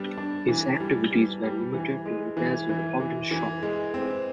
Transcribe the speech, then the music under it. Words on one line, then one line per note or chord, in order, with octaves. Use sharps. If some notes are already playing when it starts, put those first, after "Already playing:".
His activities were limited to repairs in the Ogden shop, however.
Already playing: G3 B3 D4
D4
E3
G3
G3
G3
E3
G#3
E3
E3
E3
E3
G#3
C4